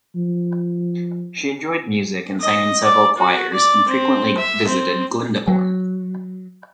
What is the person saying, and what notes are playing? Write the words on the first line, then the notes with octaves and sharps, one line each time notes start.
She enjoyed music and sang in several choirs and frequently visited Glyndebourne.
F3
D#5
D5
F#4
D5
C4
E5
C4
F#3